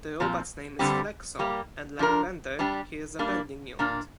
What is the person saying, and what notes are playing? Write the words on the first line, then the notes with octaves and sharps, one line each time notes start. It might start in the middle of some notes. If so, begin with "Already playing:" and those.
The robot's name is Flexo, and like Bender, he is a bending unit.
A#2 F3 C4
G2 D3 G3 C4 G4
G3 A#3 G4
F3 D4 A#4
G3 D4 G4
G3 A#3 D4
A#2 A#3 D4